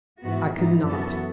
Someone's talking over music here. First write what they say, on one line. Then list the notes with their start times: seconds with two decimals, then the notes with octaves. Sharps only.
I could not.
0.21 G#2 E3 B3 F#4
0.52 G#2 E3 B3 D#4
0.85 F#2 E3 B3 F#4 A4